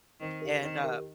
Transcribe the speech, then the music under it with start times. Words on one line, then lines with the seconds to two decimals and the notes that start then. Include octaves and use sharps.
and uh,
0.21 D#3 C4
0.42 G4 A#4
0.62 D#3 C4
0.84 G4 A#4